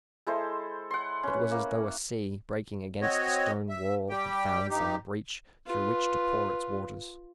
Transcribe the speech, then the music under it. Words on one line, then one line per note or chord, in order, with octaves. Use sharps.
It was as though a sea, breaking against a stone wall, had found some breach through which to pour its waters.
G#3 E4 A4 C5
F#5 C6
C#4 B4
A#3
C4 F#4 C#5 D#5
E5
G3 G4 G5
G2 D#4 G4
F4 B4